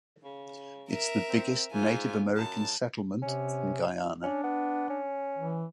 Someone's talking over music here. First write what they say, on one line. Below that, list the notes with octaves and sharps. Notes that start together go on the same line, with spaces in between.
It’s the biggest Native American settlement in Guyana.
C#3
A#4 E5
C4
G#2 F4 G#5
F#2 A5
C3 C#4
C#4 D4
B3
C#4
E3